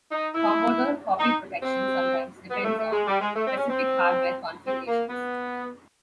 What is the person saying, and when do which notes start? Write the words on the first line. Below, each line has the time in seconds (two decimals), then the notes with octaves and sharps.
Commodore copy protection sometimes depends on specific hardware configurations.
0.12 D#4
0.33 E4
1.19 D#4
1.63 C4
2.49 B3
2.64 A3
2.78 A3
2.92 G#3
3.06 G3
3.21 G#3
3.36 A3
3.47 C4
3.57 C#4
3.68 C4
4.65 C4
4.87 A#3
5.09 B3